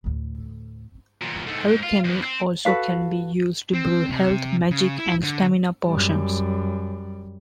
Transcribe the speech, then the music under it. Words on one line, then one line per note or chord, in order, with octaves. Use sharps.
Alchemy also can be used to brew health, magic, and stamina potions.
D2 A2
E2 A#2
G#2 A3
G#2
F4
E2 E3
C4
F#4 A4 B4 F5
C4
C3
C#3
E4
D3
F#2 G3